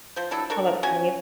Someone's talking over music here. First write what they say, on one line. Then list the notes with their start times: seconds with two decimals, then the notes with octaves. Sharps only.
Hold up, honey.
0.16 F3 C5
0.31 F#3 D4 E4 A4
0.50 D4 A4 A#4 C#6
0.83 C#4 F#4 G#5